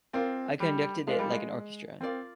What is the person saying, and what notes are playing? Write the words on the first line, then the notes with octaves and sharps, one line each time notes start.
I conducted it like an orchestra.
C4 F4 A#4 D5 F5
G3
G#3 F4 A#4 D5 F5
G3
G#3
C4 F4 A#4 D5 F5